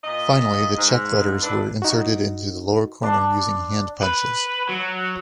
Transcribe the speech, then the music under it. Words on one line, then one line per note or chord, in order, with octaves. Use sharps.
Finally the check letters were inserted into the lower corner using hand punches.
A#2 D#5
G#2
D4 E4 B4
D#4 F#4
D4 C6
B4
F#3